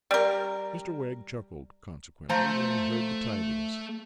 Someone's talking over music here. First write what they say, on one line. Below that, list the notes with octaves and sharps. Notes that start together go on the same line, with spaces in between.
Mr Wegg chuckled, consequently, when he heard the tidings.
G3 A#4
F3 A3 C5 A#5